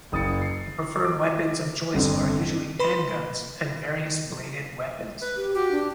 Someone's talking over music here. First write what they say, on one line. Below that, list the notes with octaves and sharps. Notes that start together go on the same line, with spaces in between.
The preferred weapons of choice are usually handguns, and various bladed weapons.
F#1 D#6 A6 C#7
C7
D6
G1 F2 D3
B4 B5 C6
B4
G4
F#4 G4
D4